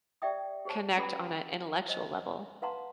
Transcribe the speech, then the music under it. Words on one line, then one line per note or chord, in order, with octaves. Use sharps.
connect on a intellectual level.
G4 D5 E5 G5 D#6
G4 G#4 C5 C#5 A5
C#4 G#4 B4 G5 B5 D#6
C5 D#5
B4 F5 F#5 A5 A#5 C6